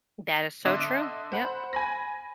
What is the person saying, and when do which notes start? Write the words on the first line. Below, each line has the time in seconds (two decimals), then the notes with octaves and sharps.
That is so true, yep.
0.65 D3 D#5 E5 C6 D6
1.32 C5 F#5 B5
1.73 G#5 B5 A#6